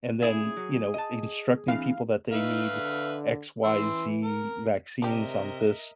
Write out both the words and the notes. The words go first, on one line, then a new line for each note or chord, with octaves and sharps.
and then, you know, instructing people that they need X, Y, Z vaccines on this
A#2 C#4 E4 G#4
F#3
D#5 A5
E3 C4 D4 E4 F5
D#4 B4 E5 F5
D3
E3 C6 E6
A#4
C3 D4 G4 A#4 D#5 E5